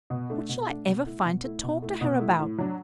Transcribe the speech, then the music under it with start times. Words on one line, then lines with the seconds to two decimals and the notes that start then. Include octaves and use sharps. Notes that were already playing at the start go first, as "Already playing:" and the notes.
What shall I ever find to talk to her about?
0.10 B2
0.30 A3 D4
0.49 B2
0.68 A3 D4
0.87 B2
1.06 A3 E4
1.25 B2
1.44 A3 E4
1.63 B2
1.82 A3 E4
2.01 B2
2.20 A3 E4
2.39 A2
2.58 F#3 D4